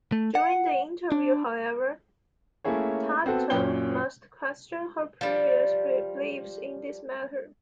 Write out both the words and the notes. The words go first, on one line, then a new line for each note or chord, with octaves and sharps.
During the interview, however, Tatum must question her previous beliefs in this matter.
A3
F#5
D4
A3 A#3 C#4 E4 G#4 C#5
B3 C4 F#4 A4
F#2 A#2 C#4 G5 G7
F3 G3